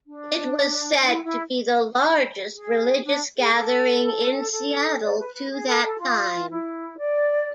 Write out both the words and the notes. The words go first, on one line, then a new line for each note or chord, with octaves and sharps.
It was said to be the largest religious gathering in Seattle to that time.
D4
E4
E4
G#4
D4
G#4
A4
A4
D5
B4
B4
G#4
A4
A4
F4
E4
D5